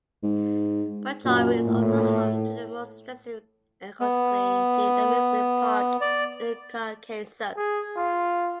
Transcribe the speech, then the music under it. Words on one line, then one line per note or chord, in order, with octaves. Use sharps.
Borjomi is also home to the most extensive ecologically-themed amusement park in the Caucasus.
G#2
F#2 A#2
A2
B3
D5
G#4
F4